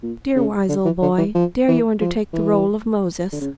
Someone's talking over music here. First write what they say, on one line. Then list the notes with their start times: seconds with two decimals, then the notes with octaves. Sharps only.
Dear wise old Boy, dare you undertake the role of Moses!
0.03 A#2
0.36 C#3
0.69 D3
0.85 E3
1.02 D3
1.18 E3
1.35 F3
1.68 E3
2.01 F3
2.33 E3
3.32 D3
3.41 C#3